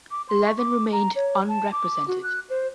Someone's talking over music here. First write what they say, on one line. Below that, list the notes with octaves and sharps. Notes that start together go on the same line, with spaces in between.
Eleven remained unrepresented.
D6
C6
C#6
D6
A#5
C#5
A5
D6
F#4
F#6
C5